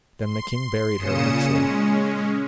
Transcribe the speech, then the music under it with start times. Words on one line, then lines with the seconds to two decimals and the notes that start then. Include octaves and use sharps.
Then the king buried her richly.
0.19 C6
0.97 A#2 C#3 C#4 D#6 C#7 E7
1.48 G#3 C#4